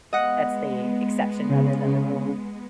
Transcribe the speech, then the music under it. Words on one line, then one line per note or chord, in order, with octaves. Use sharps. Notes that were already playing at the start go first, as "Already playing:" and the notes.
that's the exception rather than the rule.
G#3 B3 D#5 F#5
C#3